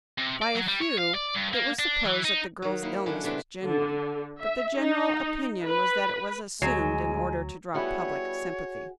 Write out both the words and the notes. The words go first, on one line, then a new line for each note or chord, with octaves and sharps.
By a few it was supposed that the girl's illness was genuine, but the general opinion was that it was assumed, in order to draw public sympathy.
C3
D5
F#3
G3
C#5
F5
D5
G2
A#3
D4
E3
D#4
D#3 F#3
A#3 D#4 E4
D3 F#3 C#4 E4 A5
C3 A3 B3 D4 E4 B4
D3
E5
D#4
B4
D2 F#3 G#3 G#5
G3 B3 E4 F#4 G#4 C#5